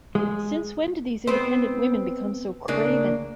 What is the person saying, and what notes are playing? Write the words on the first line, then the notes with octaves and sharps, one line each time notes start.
Since when did these independent women become so craven?
G#3
B3 C4 C5
C#3 A#3 D4